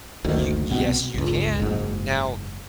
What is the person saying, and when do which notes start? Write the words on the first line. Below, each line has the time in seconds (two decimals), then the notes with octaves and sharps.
You yes, you can. Now
0.24 F#1 D2 D#3
0.70 C2 B2 B3 C4
1.14 G1 C#2
1.59 F#1 G#2